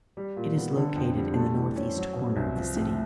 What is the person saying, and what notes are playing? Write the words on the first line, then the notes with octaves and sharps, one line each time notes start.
It is located in the northeast corner of the city.
G3
A#2
B3
D3
F2
G3
A3
E3
C#4
F#3
B2
C2
F3
A2